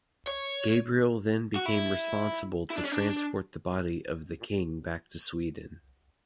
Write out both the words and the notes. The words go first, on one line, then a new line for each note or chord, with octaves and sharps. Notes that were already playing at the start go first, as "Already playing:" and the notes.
Gabriel then became responsible to transport the body of the king back to Sweden.
C#5
F#4
E4
E4
D4
C#4
D4